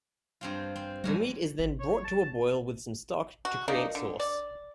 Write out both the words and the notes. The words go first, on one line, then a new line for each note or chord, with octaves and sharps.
The meat is then brought to a boil with some stock to create sauce.
G2 C4 F4
C4
F2 G#2 G3 G#3 F#4
G#1
C#5
A5
F#4
F3 A#3 D4 D#4
D3
D5